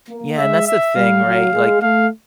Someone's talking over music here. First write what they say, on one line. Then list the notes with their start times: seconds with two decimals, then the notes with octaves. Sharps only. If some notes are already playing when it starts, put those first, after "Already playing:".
Yeah, and that's the thing, right? Like,
0.08 A#3
0.38 G#3 E5
0.67 E5
0.95 G3 F5
1.24 F#3
1.52 G#3
1.81 A3 F5